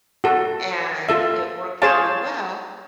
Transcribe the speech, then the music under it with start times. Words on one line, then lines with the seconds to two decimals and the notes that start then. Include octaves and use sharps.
and it worked really well.
0.24 F#4 A4
1.09 F4 A4 E5
1.82 G#4 C5 C#5 F5 A5